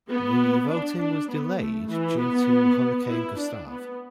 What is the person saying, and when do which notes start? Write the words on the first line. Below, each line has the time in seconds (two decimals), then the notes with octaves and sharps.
The voting was delayed due to Hurricane Gustave.
0.10 B3
0.70 D4
1.00 D4
1.30 B3
1.59 A3
1.90 E3
2.20 B3
3.09 E4
3.40 D4
3.69 B3